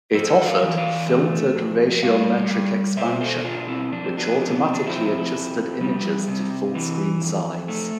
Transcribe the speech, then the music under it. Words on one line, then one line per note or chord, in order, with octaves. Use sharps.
It offered "Filtered Ratiometric Expansion", which automatically adjusted images to full-screen size.
F2 A4 C5
D5 F5
E3
D5 F5
A3
F2
G3 D5 F5
G3
B2 C5 E5
A4 C5
B2 D4 F4
C4 E4
F2 D4
C4
B3 D4
C3
B3
C4
D4
F3 C4 E4
F2
G3
C3
E3
F2
A3